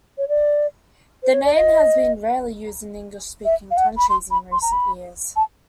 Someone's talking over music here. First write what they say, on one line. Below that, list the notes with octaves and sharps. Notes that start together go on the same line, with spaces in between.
The name has been rarely used in English-speaking countries in recent years.
C#5
D5
C5
C#5
D5
D#5
E5
F5
F#5
B5
C6
B5
C6
A#5
B5
A5